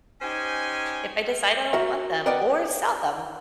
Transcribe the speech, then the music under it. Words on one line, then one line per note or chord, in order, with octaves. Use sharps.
if I decide I don't want them or sell them,
C#4 D#4 G4 C5 G#5
F#4 A#4 E5
A#4 B4 D5 D#5 F#5 G5